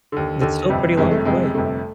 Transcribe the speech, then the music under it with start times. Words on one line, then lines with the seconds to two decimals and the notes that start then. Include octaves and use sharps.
That's still a pretty long flight.
0.12 D#2 D3
0.41 D#2 D3
0.69 G1 F2 C3 G3
0.97 G1 F2 C3 G#3
1.11 A3
1.25 G1 F2 C3 G#3
1.54 G1 F2 C3 A3